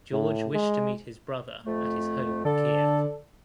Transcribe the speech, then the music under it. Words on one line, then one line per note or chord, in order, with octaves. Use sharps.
George wished to meet his brother at his home in Kiev.
A2
G#3
F2 A3
D3 A4 D5